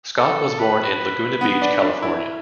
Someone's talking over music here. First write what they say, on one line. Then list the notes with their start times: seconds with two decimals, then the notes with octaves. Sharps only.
Scott was born in Laguna Beach, California.
0.17 A4
0.59 B4
1.41 B3
1.62 D4
1.82 D4
2.02 E4